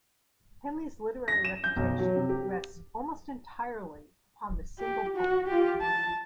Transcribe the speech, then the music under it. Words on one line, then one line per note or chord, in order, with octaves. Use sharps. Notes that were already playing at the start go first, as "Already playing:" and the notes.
Henley's literary reputation rests almost entirely upon this single poem.
A#6
E7
G6
B1
F#3
C3
G4
G4
F#4
F4 G4
A5